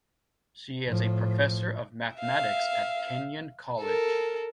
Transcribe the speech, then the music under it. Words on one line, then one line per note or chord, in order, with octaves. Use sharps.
She is a professor of mathematics at Kenyon College.
A2 F3
E5 F5
A4 A#4